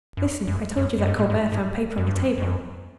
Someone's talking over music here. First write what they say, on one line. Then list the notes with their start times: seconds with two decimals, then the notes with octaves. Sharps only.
"Listen; I told you that Colbert found paper on the table."
0.17 F#2
0.47 F#2
0.77 F#2
0.98 F#2
1.07 G2
1.19 A2
1.30 G#2
1.52 G#2
1.97 F#2
2.07 G2
2.16 F#2
2.38 F2
2.43 F#2